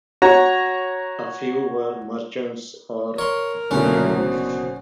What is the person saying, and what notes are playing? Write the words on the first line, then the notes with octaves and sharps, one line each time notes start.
A few were merchants or landowners.
F#4 C#5 A#5
A#4 C#5 C6
F#1 B2 D3 F#3 A3 C#4
F#4 C5